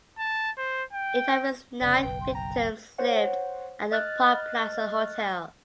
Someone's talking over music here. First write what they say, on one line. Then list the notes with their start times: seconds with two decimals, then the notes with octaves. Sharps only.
Eight of his nine victims lived at the Park Plaza Hotel.
0.19 A5
0.58 C5
0.93 G5
1.81 F1 C#3 D5
2.03 F#1 B1 B4 G5
2.21 C6
2.35 G5 A#5
2.98 C5 C#5 F#5
3.92 D#5 F6 F#6 A6